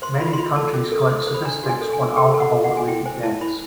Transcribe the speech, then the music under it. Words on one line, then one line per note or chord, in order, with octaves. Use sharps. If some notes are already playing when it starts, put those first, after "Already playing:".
Many countries collect statistics on alcohol-related deaths.
C5 C6
A#5
F4 B5
C6
F4 B5
A4 A5
C#4 D6
A4
D#6
C5
D#6
C5
B5
D4 A#5
F#4
G#5
A4
D4 G#5
A4 G5
A4
F#5
A4
F#5
F#4
G#5
E4 G5
C5 G#5
E4 A5
E4 B5